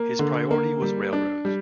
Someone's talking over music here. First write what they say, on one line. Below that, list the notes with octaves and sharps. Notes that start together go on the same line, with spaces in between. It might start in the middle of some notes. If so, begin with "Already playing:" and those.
His priority was railroads.
Already playing: A#3
D3
A#3
G3
D4
G3